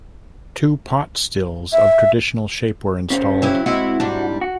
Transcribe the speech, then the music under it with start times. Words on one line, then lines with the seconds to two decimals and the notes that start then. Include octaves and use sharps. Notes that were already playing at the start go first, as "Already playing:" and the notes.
Two pot stills of traditional shape were installed.
1.73 E5
3.10 C#3 C#4 C5
3.42 F#3 E4 G4
3.66 G#3 C4 E4 F#4
4.00 G#2 G3 D4
4.41 F#4